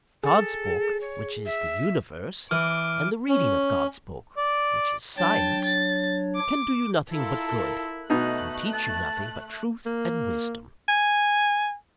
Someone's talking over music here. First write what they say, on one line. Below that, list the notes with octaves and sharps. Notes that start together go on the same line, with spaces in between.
God's Book, which is the Universe, and the reading of God's Book, which is Science, can do you nothing but good, and teach you nothing but truth and wisdom.
G#4 A4
C#5
E5
E3 D6 F6
C#4
D5
F#3 D4 C#5 G5 A5
A6
D6
E4 F4 A4 A#4
B2 A3 D#4 F#6
A5
A#3
G#5